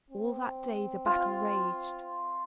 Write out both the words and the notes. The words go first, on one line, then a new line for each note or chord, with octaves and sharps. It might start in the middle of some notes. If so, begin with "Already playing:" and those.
All that day the battle raged.
C4
F4